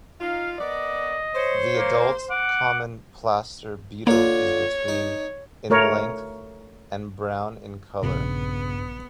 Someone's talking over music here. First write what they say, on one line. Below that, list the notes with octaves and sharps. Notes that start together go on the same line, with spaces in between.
The adult common plaster beetle is between in length and brown in colour.
D#4 F4 F5
B3 A#4 D5 D#5
C5 C#5
A#3
F#5 D6
D3 A#3 F4 C#5
D#4
A3 A#4 C#5
A#1 G2 C#3 B3